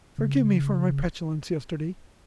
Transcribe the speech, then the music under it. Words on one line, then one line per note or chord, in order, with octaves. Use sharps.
Forgive me for my petulance yesterday!
C#3